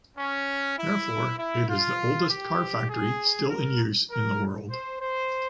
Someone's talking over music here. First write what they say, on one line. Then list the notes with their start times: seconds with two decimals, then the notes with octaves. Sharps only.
Therefore, it is the oldest car factory still in use in the world.
0.16 C#4
0.78 E4
1.38 E4
1.69 F4
2.28 G4
2.89 G#4
3.49 A#4
4.11 A#4
4.71 C5
5.01 C5